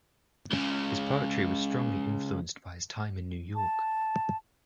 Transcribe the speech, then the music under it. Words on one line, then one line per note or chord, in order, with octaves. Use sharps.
His poetry was strongly influenced by his time in New York.
C#2 C#3
A5